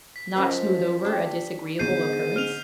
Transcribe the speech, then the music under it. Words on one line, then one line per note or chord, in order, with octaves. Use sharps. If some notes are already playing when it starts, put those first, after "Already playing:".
'Not smooth over a disagreeable occurrence?'
B6
F#2 F3 C5 D#5
D4 G4
G#2 D3 B3 G6 C7 D#7
F6 D#7 F7